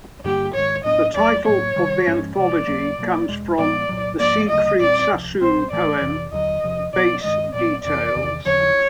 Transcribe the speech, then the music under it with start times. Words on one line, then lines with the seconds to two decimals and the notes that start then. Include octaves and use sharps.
The title of the anthology comes from the Siegfried Sassoon poem Base Details.
0.24 G2 D3 G3 A#3 G4
0.55 G#2 D#3 G#3 C#5
0.85 A2 F#3 B3 D4 D#5
1.16 D#2 D#3 F#3 A3 D5
1.46 A2 F#3 A#3 C#5
1.76 C3 D#3 G3
2.07 G#2 F3 G#3 C#4
2.37 C3 F3 G#3 D5
2.67 D#2 C#3 F#3 A#3
2.98 B2 F#3 A#3
3.29 E2 B2 G#3
3.59 A#2 F3 G#3 B3 D5
3.89 C2 A#2 F#3
4.20 G#2 F3 A#3 D5
4.50 D2 C#3 F#3 A3 D#5
4.80 A#2 G3 C4 D5
5.11 C#2 C3 F3
5.41 C2 B2 G3 C4 C5
5.71 A2 E3 A3 D5
6.02 F2 C3 E3
6.32 D#2 D3 F#3 D#5
6.63 E2 C3 F3
6.93 B2 F#3 B3 D5
7.24 G2 D#3 G#3 D#5
7.54 A#2 F#3 B3 D5
7.84 F2 C3 E3 D5
8.15 E2 C3 D#3
8.46 D#2 C#3 F3 C#5